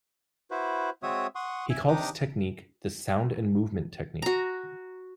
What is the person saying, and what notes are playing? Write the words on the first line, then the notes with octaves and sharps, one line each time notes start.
He called his technique the "sound and movement" technique.
E4 F#4 B4 C5
G#3 C4 F#4 C#5 E5 D#6
F#5 C6 C#6 D#6
E5 G#5
C3 D4 D#4 G4 D6 D#6
F#4 A#5